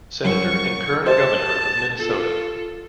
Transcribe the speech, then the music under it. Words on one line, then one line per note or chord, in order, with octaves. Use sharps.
Senator and current Governor of Minnesota.
F#2 C#6
G4 C5 D#5 A5
F4 A4